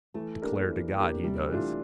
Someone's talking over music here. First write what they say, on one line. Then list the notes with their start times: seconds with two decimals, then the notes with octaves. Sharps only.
Declare to God he does.
0.14 E3 A3
0.42 A#3 D4 G4 A#4
0.69 E3
0.96 A#3 D4 G4 A#4
1.23 C3 G3
1.50 E3 A3 D4 F4